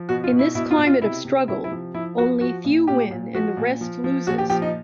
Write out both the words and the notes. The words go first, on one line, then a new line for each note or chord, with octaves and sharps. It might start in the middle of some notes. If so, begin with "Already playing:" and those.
In this climate of struggle, only few win and the rest loses.
Already playing: F3
B2 F#4
F4
B2
E4
B2 E4
F4
B2
F4
C3 E4
C3
C3 E4
E4
F3
F3 E4
F3 F#4
F3 F#4
A#2
A#2 G4
A#2
F3 F#4
A#2
F3
F3
A#2 F#4
G4
F3 G4
D#4